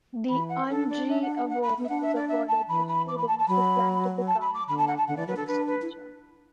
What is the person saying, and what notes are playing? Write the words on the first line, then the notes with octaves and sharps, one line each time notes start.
The Andree award is awarded to students who plan to become a mathematics teacher.
E3 B5
F#5
D4 A4
D5
E5
F#5
F#5
F#5
B5
B3
E5
D4 F#5
E5
D5
E5
A5
E3 B5
B5
D6
B5
A5
A5
F#3 B5
A5
B5
D6
D3 B5
A5
F#5
A5
D3 F#5
E3 D5
F#3 B4
D4 A4
D4 B4
B4
E4